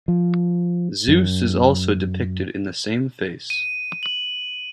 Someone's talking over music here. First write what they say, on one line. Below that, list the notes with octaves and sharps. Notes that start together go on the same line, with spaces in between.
Zeus is also depicted in the same face.
F3
F#2
D#7
F#7